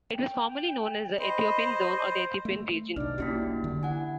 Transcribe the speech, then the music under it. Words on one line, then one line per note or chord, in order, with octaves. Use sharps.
It was formerly known as the Ethiopian Zone or Ethiopian Region.
G5
C5 D#5 B5
A3
B1 B2 D4 D#4 D5 F6
F1 C2 A#3 C#4 E4 F#4 G4 D5
D3
E4 F#5 G#5